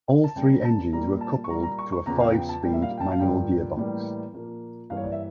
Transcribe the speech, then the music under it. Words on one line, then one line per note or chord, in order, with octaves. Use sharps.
All three engines were coupled to a five-speed manual gearbox.
A5
C#3 G3 A#3 G5
A5
A#2 G3 A#3 A#5
A5
C#6
A#2 G3 A#3 A#5
A#5
C#6
C#6
E2 C#3 F3 A#5
G5
F5
G5
A5
A#2 G3 A#3 G5
E5
F5
G5
A5
F5
G2 D3 F3 A#3 G5
A2 E3 G3 A#3
A#2 F3 A#3
G2 E3 A#3 F5
C#5
D5
E5